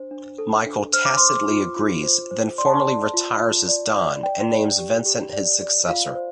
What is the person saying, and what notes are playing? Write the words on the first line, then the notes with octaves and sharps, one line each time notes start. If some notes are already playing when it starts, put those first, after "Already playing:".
Michael tacitly agrees, then formally retires as Don and names Vincent his successor.
Already playing: D4 C5
D4
A4
D4
C5 F6
D6
C5 C6
D6
F4
F4
C5
C5
D5 C6
A5
C6
D5
F4
F4
D5
D5
D5 G5
D5
G4
G4
D5
D5
F4 F5
C5